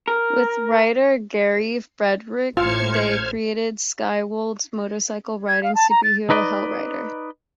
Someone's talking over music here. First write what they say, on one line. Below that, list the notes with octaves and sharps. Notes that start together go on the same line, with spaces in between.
With writer Gary Friedrich, they created Skywald's motorcycle-riding superhero "Hell-Rider".
A#4
A1 A2 F4 C5 F6 G#6 C#7
G#6
F5
A5
A#5
A6
D#4 B4 D5 D#5